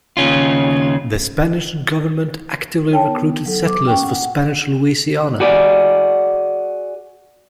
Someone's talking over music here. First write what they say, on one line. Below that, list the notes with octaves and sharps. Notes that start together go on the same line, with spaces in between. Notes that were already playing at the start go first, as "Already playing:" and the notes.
The Spanish government actively recruited settlers for Spanish Louisiana.
D#2 C#3 C#4 F4
D#4 C#5 G5 A5
B3
F#3 A4
D6
C#4 G5
F#5
F#4 G#4 D5